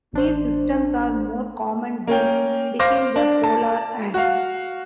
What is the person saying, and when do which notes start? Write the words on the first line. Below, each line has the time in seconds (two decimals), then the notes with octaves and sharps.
These systems are more common deep within the polar air.
0.13 A1 D4 C5
2.07 A#3 C#4 G5
2.79 C5 F5 D6 A#6
3.16 D4
3.43 A5
4.14 F#4 F5